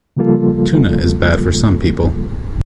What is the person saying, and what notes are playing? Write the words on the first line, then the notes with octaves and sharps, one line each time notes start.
Tuna is bad for some people.
C#3 F3 G3 A#3 F4 A4